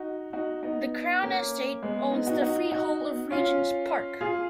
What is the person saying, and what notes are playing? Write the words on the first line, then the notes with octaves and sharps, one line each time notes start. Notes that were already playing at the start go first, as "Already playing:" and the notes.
The Crown Estate owns the freehold of Regent's Park.
Already playing: D#4 F#4
D#4 F#4
B3 D#4
A#3 C#4
G#3 B3
B3 D#4
D#4 F#4
D#4 F#4
D#4 F#4
C#4 F4
F4 G#4